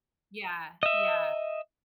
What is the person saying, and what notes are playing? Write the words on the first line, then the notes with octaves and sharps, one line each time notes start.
Yeah, yeah.
D#5 E5